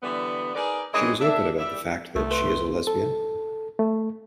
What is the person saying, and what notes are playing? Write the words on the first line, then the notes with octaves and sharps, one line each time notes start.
She was open about the fact that she is a lesbian.
D3 E3 G3 B3
D#4 G#4 A#4 B4 D5
E3 G3 G#3 C#4 A#4 D#5
D4 E5
G3 E5
C2 A3
B4 C6
A4
A3